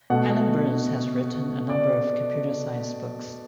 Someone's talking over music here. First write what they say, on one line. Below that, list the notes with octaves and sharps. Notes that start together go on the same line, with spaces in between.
Alan Burns has written a number of computer science books.
B2 A3 F#5
D5